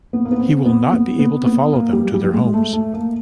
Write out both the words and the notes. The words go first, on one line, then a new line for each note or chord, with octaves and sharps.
He will not be able to follow them to their homes.
B3
A#3
B3
C4
B3
B3
B3
B3
A#3
G3
G3
G3
G#3
A3
A3
A#3